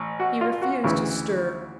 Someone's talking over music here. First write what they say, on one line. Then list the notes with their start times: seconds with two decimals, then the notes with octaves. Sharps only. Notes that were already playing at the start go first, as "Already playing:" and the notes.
He refused to stir.
Already playing: A1
0.20 F#4
0.41 F4
0.62 F#4
0.84 D2 C#3 E3